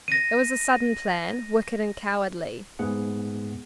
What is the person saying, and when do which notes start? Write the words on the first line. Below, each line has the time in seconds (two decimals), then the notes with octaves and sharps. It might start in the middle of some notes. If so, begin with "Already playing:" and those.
It was a sudden plan, wicked and cowardly.
0.08 A#6 D#7
2.79 G#2 B3 G#4 F#5